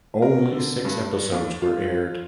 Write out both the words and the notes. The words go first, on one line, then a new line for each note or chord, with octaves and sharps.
Only six episodes were aired.
A#4
D3
G2
D#2
F4